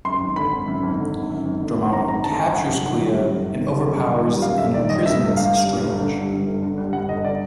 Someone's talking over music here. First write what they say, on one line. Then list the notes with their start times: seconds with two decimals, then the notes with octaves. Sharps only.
Dormammu captures Clea, and overpowers and imprisons Strange.
0.05 F#2 C6
0.20 G#1
0.36 D3 B5
0.52 G#1
0.68 F#2
0.82 G#1
0.98 D3
1.14 G#1
1.30 F#2
1.45 G#1
1.61 D3
1.77 G#1
1.92 F#2 A#5
2.08 G#1 A#5
2.24 D3 A5
2.39 G#1 G#5
2.55 F#2 F#5
2.71 G1
2.86 D#3
3.02 G3
3.17 F#2
3.33 G1
3.49 D#3
3.64 G3
3.81 F#2
3.96 G1
4.12 D#3
4.27 G3
4.42 F#2 F5
4.58 G1 E5
4.74 D#3 D5
4.89 G3 D#5
5.06 G2 E5
5.21 G1
5.37 D3 F5
5.53 G3
5.68 G2
5.84 G1
6.00 D3
6.14 G3
6.30 G2
6.47 G1
6.62 D3
6.78 G3
6.93 G2 F#5
7.08 G1 D#5
7.24 D3 D5